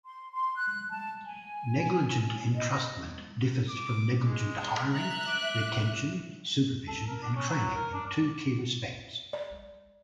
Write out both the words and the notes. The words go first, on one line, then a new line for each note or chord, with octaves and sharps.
Negligent entrustment differs from negligent hiring, retention, supervision, and training in two key respects.
C6
C6
F#6
A5
G#5
D#5
D6
G#3
E5 A#5 F#6
D6
A4
A#4
D4
C#4
F#3
A#4
D4
D5
D5